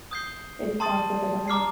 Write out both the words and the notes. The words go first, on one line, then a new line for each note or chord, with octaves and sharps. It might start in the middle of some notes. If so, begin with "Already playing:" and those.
It is transported on ice.
D#6 G6 C7 G7
A5 C6 D#6 A6 D#7
A#5 D6 F6 C7